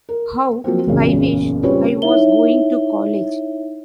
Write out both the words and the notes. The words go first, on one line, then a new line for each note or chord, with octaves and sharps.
How I wish I was going to college!
A#4
F3 F#3 A#3 C4
F#1 B1 E2 A#2 C#3
G3 C4 C#4 F4 B4 C#5
D#4 E4 C#5 E5 G7